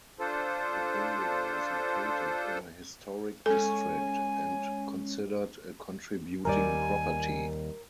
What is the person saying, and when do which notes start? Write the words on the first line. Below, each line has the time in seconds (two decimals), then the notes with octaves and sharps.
The building was located in a historic district and considered a contributing property.
0.20 D4 F4 A4 C5
3.46 G#3 C#4 A4 G#5
6.45 D#2 G3 A#4 D5 G#5